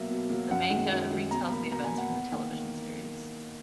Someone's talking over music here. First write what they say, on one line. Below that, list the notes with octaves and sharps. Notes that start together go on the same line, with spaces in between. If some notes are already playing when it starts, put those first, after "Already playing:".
The manga retells the events from the television series.
Already playing: B2 F#3 A#3 E5
B2
F#3 A#3
F#2 F#5
D#3 G#3
F#2
D#3 G#3
B2 A#5
A#3 B5
B2 A#5
G#5
A#3
F#5
E2
D#3 A#3